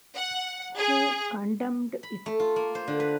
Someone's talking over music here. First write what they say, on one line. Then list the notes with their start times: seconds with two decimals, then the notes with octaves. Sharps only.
Who condemned it?
0.15 F#5
0.78 G#4
2.03 B5
2.26 A3
2.40 F4
2.56 A#3
2.75 C5
2.88 D3
3.00 B4